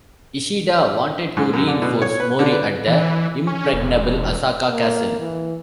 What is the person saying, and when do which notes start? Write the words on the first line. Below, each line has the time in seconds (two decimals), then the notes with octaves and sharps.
Ishida wanted to reinforce Mori at the impregnable Osaka Castle.
1.37 G#2
1.53 F#2
1.67 D3
1.82 B2
2.02 C#5
2.20 B4
2.39 D3
2.52 B4
2.87 E3
3.47 C#4
3.73 E1
4.71 A#3
5.20 E3